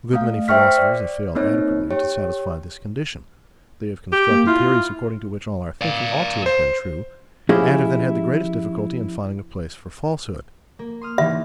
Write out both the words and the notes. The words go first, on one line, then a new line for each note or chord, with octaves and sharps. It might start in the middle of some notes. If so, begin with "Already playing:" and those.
A good many philosophers have failed adequately to satisfy this condition: they have constructed theories according to which all our thinking ought to have been true, and have then had the greatest difficulty in finding a place for falsehood.
A3 F5
C5 E5 G5 C#6 F6 B6
D5
A#3 C4 D#4 C#5
G4 C#5
G4 G6
A#3
E4 F4
D5 F5
C5
F3 C#4 E4 G4 G#4 D#5
A#3
C6 D#6 F6
D#3 E3 E5